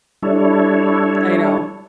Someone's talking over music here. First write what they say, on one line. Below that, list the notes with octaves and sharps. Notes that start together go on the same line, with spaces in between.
I know.
G3 D4 E4 A4 C#5